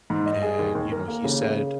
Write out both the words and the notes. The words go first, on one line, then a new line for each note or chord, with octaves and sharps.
and, you know, he said
G#2
D#5
G#4
D#2
D#2
A#4
A#3
C#3
C#3